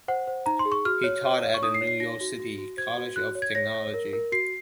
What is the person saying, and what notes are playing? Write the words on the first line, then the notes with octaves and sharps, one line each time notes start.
He taught at the New York City College of Technology.
C5 F#5
C5
D#4 A#5
C6
G#4
C#6
F#4 F6
C#5
C#5
C#5
C#6
D#4 D#6
C7
C#5
C7
D#4 A#6
F#4
F#4
F#4
C5 G#6
F#4
F#4 F#6
C#5
G#6
C#5 A#6
C#5
A#4
A#4
F#4 C7